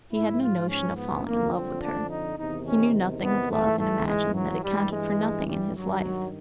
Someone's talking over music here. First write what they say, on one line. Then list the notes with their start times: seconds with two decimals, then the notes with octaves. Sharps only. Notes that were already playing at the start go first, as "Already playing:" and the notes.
He had no notion of falling in love with her. He knew nothing of love and imagined that it counted for nothing in his life.
0.12 G#2 F3 E4
0.41 F4
0.69 C#4
0.96 B3
1.25 F2 D3 F3 A#3
1.53 C4
1.81 D4
2.09 D#4
2.37 E2 C3 D#3 D#4
2.66 C#4
3.23 B3
3.50 G#2 E3 A3
3.78 A3
4.06 G#3
4.34 F#3
4.63 G2 E3 G3
4.92 G#3
5.47 G3
5.75 G2 D#3 F#3